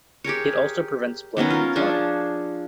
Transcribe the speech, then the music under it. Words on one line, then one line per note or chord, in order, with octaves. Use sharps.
It also prevents blood from clotting.
G4 G#4 A#4 C#5
D#3 F#3 B3 C#4
F4 A#4
F3 D4 G#4 C#5